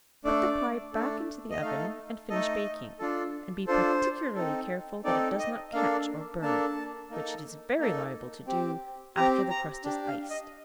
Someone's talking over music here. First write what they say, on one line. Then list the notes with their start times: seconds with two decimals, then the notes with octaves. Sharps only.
Put the pie back into the oven, and finish baking, and be particularly careful that it does not catch or burn, which it is very liable to do after the crust is iced.
0.24 A3 D4 A4 D5
0.93 A3 D4 A4
1.51 D#5
1.62 A3 D#4 A4 F5
2.30 A3 D#4 A4 D#5
2.99 D4 F4 A4
3.67 D4 F4 A4 C5
4.36 C4 D#4 A4
5.04 C4 D#4 A4 D5
5.39 D#5
5.73 A#3 D4 A4 F5
6.42 A#3 D4 A4 A5
7.10 A#3 D#4 A4
7.79 A#3 D#4 A4
8.47 C4 G4
9.16 C4 G4 A#5
9.50 A#5
9.84 D4 G4
10.08 F5
10.30 D#5